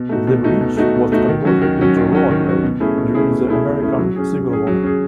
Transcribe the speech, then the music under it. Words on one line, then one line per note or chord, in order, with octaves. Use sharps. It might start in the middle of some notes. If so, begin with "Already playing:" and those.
The bridge was converted into a roadway during the American Civil War.
Already playing: B2
A3 D#4 F#4
B2
A3 D#4 F#4
B2
A3 D#4 F#4
B2
A3 D#4 F#4
D#3
F#3 C#4 F#4
D#3
F#3 C#4 F#4
D#3
F#3 C#4 F#4
D#3
F#3 C#4 F#4
B2
A3 C#4 E4 G#4
B2
A3 C#4 E4 G#4
B2
A3 C#4 E4 G#4
B2
A3 C#4 E4 G#4
F#3
C#4 G#4
F#3
C#4 G#4
F#3
C#4 G#4